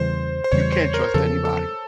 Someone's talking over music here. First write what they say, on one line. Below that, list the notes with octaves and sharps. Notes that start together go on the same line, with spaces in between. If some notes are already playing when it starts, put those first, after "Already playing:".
you can't trust anybody,
Already playing: E2 C#3 E3 G3 C5
C5
E2 C#3 E3 G3 C#5
C5
A#4
E2 C#3 F3 A4
A4